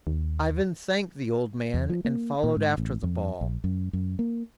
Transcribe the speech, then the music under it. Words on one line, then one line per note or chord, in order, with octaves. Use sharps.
Ivan thanked the old man, and followed after the ball.
D#2
E2
F3
A#3
A#2
G#2
A1
F2
A#1
F#2
F#2
A#3